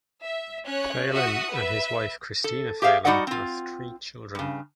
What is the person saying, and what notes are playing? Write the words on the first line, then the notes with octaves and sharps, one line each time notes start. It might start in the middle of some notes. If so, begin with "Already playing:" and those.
Phalen and his wife Christina Phalen have three children.
E5
C#4 C#5 F#6
F#4 E5 F#5 D#6
B4 E5
A4
G4 G#4 E5 F5
G3 D#4 F#4 D5 D#5 F#5
C4 F4
G2 C#3